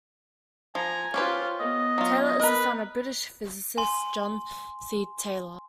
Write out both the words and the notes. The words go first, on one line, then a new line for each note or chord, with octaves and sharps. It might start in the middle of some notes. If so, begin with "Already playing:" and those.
Taylor is the son of British physicist, John C. Taylor.
F3 G#5 A#5
C#4 F4 G4 B4 C5
B3 D#5
F#3 F4
A#4 B4 D#5
G#5 C6